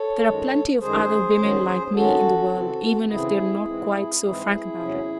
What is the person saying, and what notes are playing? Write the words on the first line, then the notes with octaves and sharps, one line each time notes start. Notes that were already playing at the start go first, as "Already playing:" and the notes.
There are plenty of other women like me in the world, even if they are not quite so frank about it.
Already playing: A4 C#5
F#2 D#3 G#3
F#2 D#3 G#3 G#4 C5
D#2 D#3 F#3 C#4
G#4
D#2 D#3 F#3 C#4 F#4 A4
C#3 E3 C4
C#3 E3 C4 E4 G#4
G#2 E3 G#3 C4
G#2 E3 G#3 C4 E4 G#4
E2 C3 F#3 C#4